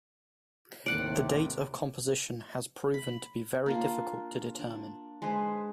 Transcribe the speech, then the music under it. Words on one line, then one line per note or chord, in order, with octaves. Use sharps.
The date of composition has proven to be very difficult to determine.
D#2 A2 C3 D5 F#5
B5
A#3 D4 F4
D4
G#3 G#4 B4 C5